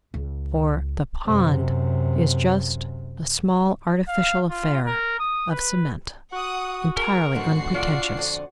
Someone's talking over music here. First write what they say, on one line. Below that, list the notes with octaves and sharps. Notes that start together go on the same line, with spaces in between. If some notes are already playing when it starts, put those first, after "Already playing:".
For "the pond" is just a small artificial affair of cement, entirely unpretentious.
C#2
F#2 C3
F5
F4
A#4
D#6
B4
F#4 F#5 D#6
G#4 A#4 A#5 C#6
E2 G#2 D3 F#4 C7
D4 F4
F2 D3 D5